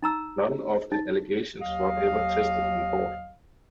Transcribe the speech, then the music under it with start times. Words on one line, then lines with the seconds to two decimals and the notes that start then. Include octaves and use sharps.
None of the allegations were ever tested in court.
0.03 D#4 A#5 E6
0.92 D#4
1.61 D#2 F#3 D#5 F5